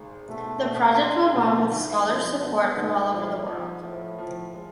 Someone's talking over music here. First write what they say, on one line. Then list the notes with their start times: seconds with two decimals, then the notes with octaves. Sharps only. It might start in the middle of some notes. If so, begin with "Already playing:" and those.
The project will run with scholars support from all over the world.
Already playing: G#1 G#3
0.28 B2 A3
0.64 B2 A3
0.99 G#3 D4
1.35 B2 F3
1.70 B1 E3
2.06 F3
2.41 B2 B3
2.76 B1
3.12 A2 F3
3.47 G#2 F3
3.83 A2 F3
4.18 F3
4.54 G#3